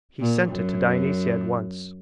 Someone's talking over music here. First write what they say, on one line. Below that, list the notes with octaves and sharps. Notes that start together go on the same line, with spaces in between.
He sent it to Dionysia at once.
A#2
F#2